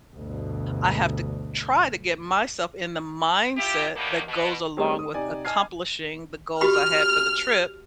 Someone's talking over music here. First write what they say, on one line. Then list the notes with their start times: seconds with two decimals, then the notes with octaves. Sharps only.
I have to g try to get myself in the mindset that goes along with accomplishing the goals I had for the trip.
0.14 D2 G2 B2
3.57 E4 F4 G4
3.95 E2 A2 D#3 G3 A#3 B3
4.28 B2
4.77 G3 A3 C4 C#4 G#4
4.99 D#6
5.14 C3 D#4 D5 G#5
5.45 D#5 G#5 A5 F6 G#6 C7
6.61 F#4 G4 B5 F6